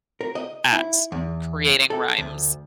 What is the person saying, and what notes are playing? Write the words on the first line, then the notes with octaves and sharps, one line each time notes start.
at creating rhymes.
A#4
D#5
E4
E2
A4
D2